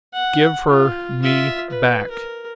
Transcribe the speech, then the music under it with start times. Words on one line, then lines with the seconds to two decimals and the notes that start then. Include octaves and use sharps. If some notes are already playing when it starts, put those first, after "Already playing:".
"Give her me back."
0.13 F#5
0.68 F4
1.22 F4 E5
1.70 B4
2.10 A#4